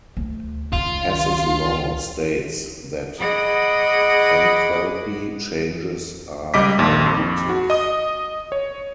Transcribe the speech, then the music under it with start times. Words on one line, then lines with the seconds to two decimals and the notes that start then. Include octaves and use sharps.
Hess's law states that enthalpy changes are additive.
0.17 D2
0.73 C#2 D#3 F4
3.19 G#4 D#5 F#5 B5 D6 D#6
6.54 C#2 G3 D#5 D6 B6
6.78 A#1 D#2
7.06 F2
7.49 F#4
7.70 D#5 D#6
8.52 C#5